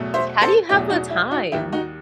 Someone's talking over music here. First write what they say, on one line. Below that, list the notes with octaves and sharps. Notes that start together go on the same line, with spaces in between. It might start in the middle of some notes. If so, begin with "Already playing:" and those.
Like, how do you have the time?
Already playing: E2 B2 F#3 A3
C5 E5
A4 C5
E2 B2 F#3 A3 E4 G4
D#4 F#4
E4
D#4 F#4
D#2 D#3 G3 E4 G4
D#4 F#4